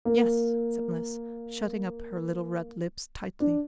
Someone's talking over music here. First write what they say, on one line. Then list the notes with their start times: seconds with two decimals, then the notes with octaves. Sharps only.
"Yes," said Mliss, shutting up her little red lips tightly.
0.05 A#3
3.40 D4